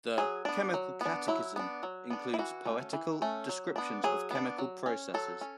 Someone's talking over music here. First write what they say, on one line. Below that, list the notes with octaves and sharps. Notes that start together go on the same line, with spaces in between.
The "Chemical Catechism" includes poetical descriptions of chemical processes.
F#3 G#4
B3 D4
F#3
B3 D4
F#3 E4
B3 D4
F#3
B3 D4
E4
E3 F#4
A3 C#4
E3
A3 C#4
F#3
B3 D4
F#3 G#4
B3 D4
F#3
C#4
F#3 A4
C#4